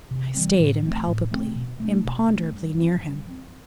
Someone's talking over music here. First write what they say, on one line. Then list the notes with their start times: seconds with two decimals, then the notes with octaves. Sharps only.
I stayed impalpably, imponderably near him.
0.11 C3
0.34 E3 G3 C4
0.60 A2
0.83 F3 A3 C4
1.07 A2
1.31 F3 A3 C4
1.55 B2
1.80 A3 D4
2.05 B2
2.29 A3 D4
2.52 G2
2.78 F3 C4
3.02 G2
3.26 F3 C4